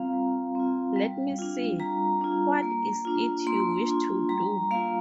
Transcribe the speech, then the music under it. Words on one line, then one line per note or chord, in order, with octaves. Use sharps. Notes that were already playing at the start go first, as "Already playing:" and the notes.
Let me see, what is it you wish to do?
Already playing: G3 C4 F4 F5 A#5
G3
C4 F4
G3
D4 F4
G3 A#5
D4 F4
A#3
D4 F4
A#3 C6
D4 F4
G3 A#5
A#3 F4 F5